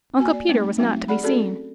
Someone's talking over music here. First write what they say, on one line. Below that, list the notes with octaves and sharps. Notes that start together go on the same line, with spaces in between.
Uncle Peter was not to be seen.
A#3 F#4 G#5
D5
G#3 A3 C4 D#4
F#3 A3 C4 D#4 F#4 E5
G4 G#4 D5 F#5 B5
C4 C#4 F#4 G#4 A4 D5